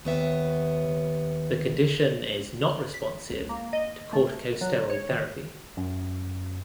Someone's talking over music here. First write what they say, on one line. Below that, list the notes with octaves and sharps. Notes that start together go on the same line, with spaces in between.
The condition is not responsive to corticosteroid therapy.
D#2 B3 E5
B6
C#2
A#3
D#5
A3
F#3
C#5
D#3
F#2